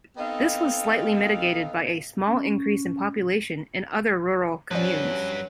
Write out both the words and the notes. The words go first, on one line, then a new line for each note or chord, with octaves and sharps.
This was slightly mitigated by a small increase in population in other rural communes.
B3 C4 D#4 A4 D#5 F5
C#4
G2 F3 F#3 C#4 B4 D5